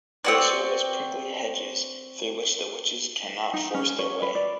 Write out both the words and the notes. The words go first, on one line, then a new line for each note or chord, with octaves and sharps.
They serve as prickly hedges through which the witches cannot force their way.
C4 F#4 D5
D#4
C#4
C#5
B4
D5